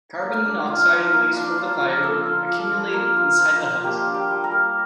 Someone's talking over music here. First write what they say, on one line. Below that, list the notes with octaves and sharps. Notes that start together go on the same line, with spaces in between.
Carbon monoxide released from the fire would accumulate inside the hut.
A#3
D4
F4
F3
A#3
D4
F4
F3
A#3 A4
F4
F3
F3
A#3
F4
F3
F3
A#3 G4
D4
G4
G3
A#4
G3